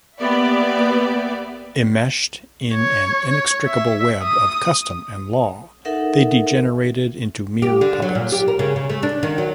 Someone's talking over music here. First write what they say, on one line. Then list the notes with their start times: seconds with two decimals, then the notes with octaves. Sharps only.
Enmeshed in an inextricable web of custom and law, they degenerated into mere puppets.
0.19 A#3 B3 G4 B4 D5 E5
2.74 C#5
3.31 C#5
3.68 E5
4.23 D#6
5.85 D#4 A4 A#4 E5 F#5
7.62 G4
7.81 D3
8.02 F#3
8.15 A#2
8.32 G4
8.48 A#4
8.59 C#3
8.76 C#3
8.89 A3
9.03 D4
9.23 D#3
9.38 F#3